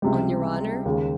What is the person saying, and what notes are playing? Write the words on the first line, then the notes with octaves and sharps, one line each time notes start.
"On your honor?"
C#2 C3 G3
D#2 C#3 G#3